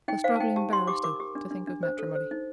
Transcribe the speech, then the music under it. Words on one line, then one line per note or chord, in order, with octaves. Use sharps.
A struggling barrister to think of matrimony!'
D#4 G5
C5 F5
A5
D#4 G5
G4 A5
G4 C6
G4 D6
A#4 D6
G4
D4
D4
D4
C5
A4
C5
D#4